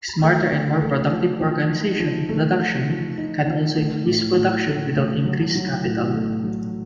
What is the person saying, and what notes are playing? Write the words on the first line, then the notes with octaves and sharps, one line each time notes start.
Smarter and more productive organization of production can also increase production without increased capital.
A3
A3
A3
F3
F3
D#4
F3
A3
F3
F3
D#4
F3
A3
A2
A2
A3
A3
F#3
F#3
A2
A3
F#3